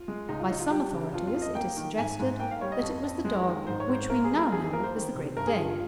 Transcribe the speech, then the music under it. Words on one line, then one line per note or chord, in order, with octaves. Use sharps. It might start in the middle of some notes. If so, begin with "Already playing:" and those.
By some authorities it is suggested that it was the dog which we now know as the Great Dane.
Already playing: F4
G#3
C#2 D#4
F4
C#2 D#4
F4
G3 G4
C#3
F2 F4
F4
F2
D#5
A#3 G5
D#3
G#2 G#5
G#2
A#3 G5
F5
G3 C#5
D#5
F2
F2
G#3
D#3
G#2 C5
C#5
G#2
C5
A#3 A#4
G#4
G3
A#4
F2 G#4
G#4
A#3 A#4
C5
D#3
C3
G2 A#4
G#4
G2 F4
F4